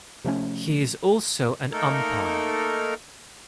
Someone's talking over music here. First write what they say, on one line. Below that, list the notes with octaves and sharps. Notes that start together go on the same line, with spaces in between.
He is also an umpire.
C3 F3 A3 C#4
A3 A#3 D#4 A4 A#4